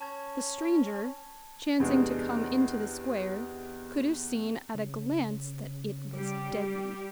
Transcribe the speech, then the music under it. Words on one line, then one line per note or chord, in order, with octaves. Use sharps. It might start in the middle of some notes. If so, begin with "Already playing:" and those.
The stranger, chancing to come into the square, could have seen at a glance that it was deadly.
C#4 A5 G#6
E2 C3 G#3 D4
C#3
G3 G4